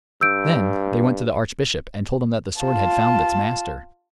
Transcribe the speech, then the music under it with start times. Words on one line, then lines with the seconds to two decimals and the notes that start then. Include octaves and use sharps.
Then they went to the archbishop and told him that the sword had found its master.
0.21 G2 E6 G6 D7
2.61 F4 A5